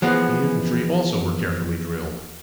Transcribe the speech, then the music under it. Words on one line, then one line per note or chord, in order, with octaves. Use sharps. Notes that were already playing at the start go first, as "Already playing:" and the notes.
The infantry also were carefully drilled.
E3 F3 G#3 B3